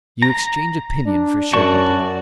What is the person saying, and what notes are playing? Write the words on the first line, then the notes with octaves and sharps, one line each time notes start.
You exchange opinion for certainty.
A#5
D4
F#2 F#4 D5 A5 C#6